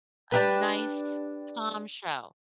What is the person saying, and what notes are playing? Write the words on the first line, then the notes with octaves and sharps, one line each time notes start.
a nice, calm, show.
D4 G4 B4